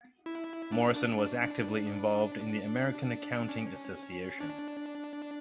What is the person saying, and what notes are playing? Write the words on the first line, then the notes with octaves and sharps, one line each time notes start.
Morrison was actively involved in the American Accounting Association.
E4
D4
D4
D4
D4
C#4
D4